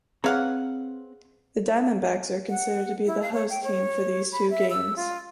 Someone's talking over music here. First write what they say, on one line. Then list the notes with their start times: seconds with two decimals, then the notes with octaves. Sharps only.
The Diamondbacks are considered to be the host team for these two games.
0.24 C4 G#4 B4 C#5 F5 F#5 A#5
2.49 F#5
3.07 E4
3.22 F5
3.33 C#5
3.50 G5
3.63 C#5
4.32 B5
4.50 E5
4.70 E6
4.96 F4